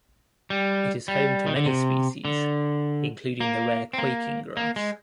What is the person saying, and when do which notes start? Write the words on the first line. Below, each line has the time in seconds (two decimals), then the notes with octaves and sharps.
It is home to many species, including the rare quaking grass.
0.50 G3
1.08 G3
1.46 D#3
1.56 D3
1.66 C3
2.25 D3
3.40 A#3
3.93 C4
3.98 A#3
4.57 A#3
4.76 G#3